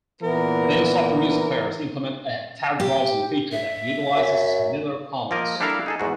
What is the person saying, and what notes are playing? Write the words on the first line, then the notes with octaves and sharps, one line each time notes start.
Many software music players implement a "tag browsing" feature that utilizes Miller columns.
A#2 E3 B3 A#4
G4
E5
F#2
F3 A#3 A#4 D#5
G3 D4 E4 A4 A#4 F5
D#4 G#4 A4
E2 G#2 F#4